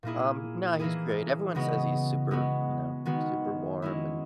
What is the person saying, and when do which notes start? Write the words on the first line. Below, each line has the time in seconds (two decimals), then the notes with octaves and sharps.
Um, no, he's great, everyone says he's super, you know, super warm and
0.03 A#2 A#3 E4 G#4
0.79 E3 A#3 E4 G#4
1.55 C#3 G#3 B3 F#4
2.31 G#3 B3 F#4
3.05 D#3 G#3 B3 F#4
3.82 G#3 C#4 E4